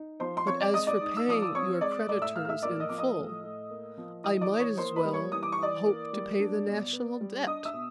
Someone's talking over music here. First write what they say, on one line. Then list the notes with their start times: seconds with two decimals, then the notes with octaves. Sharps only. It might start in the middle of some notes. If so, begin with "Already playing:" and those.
But as for paying your creditors in full, I might as well hope to pay the National Debt.
Already playing: D#4
0.20 F3 C5 C6
0.37 C6
0.47 C4 C#5 C#6
0.61 D5 D6
0.74 G#3 D#5 D#6
0.87 D5 D6
1.01 D#4
1.17 E6
1.28 F3 D#6
1.42 D6
1.55 C4 C#5 C#6
1.81 G#3 D5 D6
2.09 A2 D5 D6
2.22 E5 E6
2.35 A2 F5 F6
2.45 F6
2.49 E5 E6
2.62 A#3 D5 D6
2.80 D#5 D#6
2.89 F3 D6
2.98 D#5 D#6
3.16 A2
3.43 A2
3.70 A#3
3.98 F3
4.24 E3 D#5 D#6
4.41 D5 D6
4.51 E3
4.60 C#5 C#6
4.77 A#3 C5 C6
4.96 B4 B5
5.05 G3
5.13 C#5 C#6
5.32 E3 D#6
5.43 D6
5.52 C#6
5.59 E3 D5 D6
5.86 A#3
6.13 G3
6.40 D4
6.66 B2
6.93 B3
7.20 G3
7.47 D4 D#5 D#6
7.65 E5 E6
7.74 B2